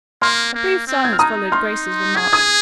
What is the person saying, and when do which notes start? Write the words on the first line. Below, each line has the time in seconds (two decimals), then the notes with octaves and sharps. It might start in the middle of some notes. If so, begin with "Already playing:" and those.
A brief silence followed Grace's remark.
0.22 A#3 C6 F6
0.54 A#3
0.87 C4
1.05 G#6
1.13 F6
1.19 D#4 A#5 D#6
1.52 C6 F6
2.16 G#4 G#6
2.33 D#6 G#6